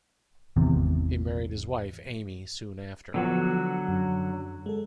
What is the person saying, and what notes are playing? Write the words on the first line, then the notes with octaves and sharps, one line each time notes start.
He married his wife, Amy, soon after.
G#1 E2 C3
D3 F3 F#3 B3 F#4
F#2
G#3 A4